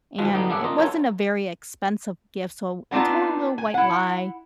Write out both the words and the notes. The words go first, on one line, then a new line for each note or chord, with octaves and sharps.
and it wasn't a very expensive gift, so I told a little white lie,
D2 G#2 F3 G#3
A2 D3 G3 B3 D#4
G3 A#3 D4 G#4 E5 F#5
A#3 F4 D#5
C#4 D#4 F4 A4 A#4 C#5
B3 C4 D4 D#4 F4
G#5
E4 F#5